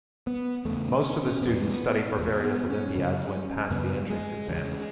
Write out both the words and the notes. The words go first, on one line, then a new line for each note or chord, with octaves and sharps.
Most of the student study for various Olympiads when pass the entrance exam.
B3
E2 C#3 A3
C#4
E2 B2 B3
E2 B2
B3
C#4
F#2 C#3
F#2 C#3 B3
G#3
E2 C#3